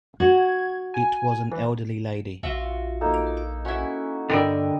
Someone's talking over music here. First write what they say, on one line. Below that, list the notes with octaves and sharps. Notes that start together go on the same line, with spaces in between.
It was an elderly lady.
F#4 G#6
G#5
E3
A#1 F4 F#4 E5
A#3 D#4 A4
C#4 E4 F#4
G2 D3 G3 A#4 D5 D#5 E6